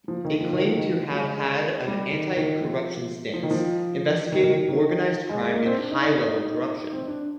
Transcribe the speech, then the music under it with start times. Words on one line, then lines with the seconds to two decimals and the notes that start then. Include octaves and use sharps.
It claimed to have had an anti-corruption stance, investigating organized crime and high-level corruption.
0.08 F3
0.25 D#3
0.41 F3
0.53 D#3
0.65 F3
0.78 D#3
0.90 F3
1.11 G3
1.22 G#3
1.87 G3
2.12 D#3
2.37 D#3
2.61 F3
3.34 F3
3.43 D#3
3.51 F3
4.32 D#3
4.44 D#3
4.68 D#3
5.29 G#3
5.41 G#3
5.54 A#3
5.66 C4
5.78 D4
5.91 D#4
6.02 D#4
6.15 C4
6.27 D#4
6.51 D#4
6.76 D#4
6.92 C4
7.08 D4